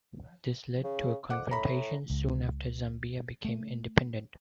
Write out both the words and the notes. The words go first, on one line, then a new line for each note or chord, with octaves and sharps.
This led to a confrontation soon after Zambia became independent.
C#3
F2 F#5 D6
A2 A#5 B5
C#2
A3